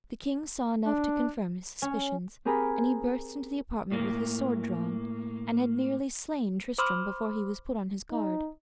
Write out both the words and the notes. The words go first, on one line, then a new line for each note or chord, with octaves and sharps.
The king saw enough to confirm his suspicions, and he burst into the apartment with his sword drawn, and had nearly slain Tristram before he was put on his guard.
D4
C#4
C4 G4 G#4 A#4 G#5 B5
A2 A#3
C5 B5 C6 D6 E6 F6
D#4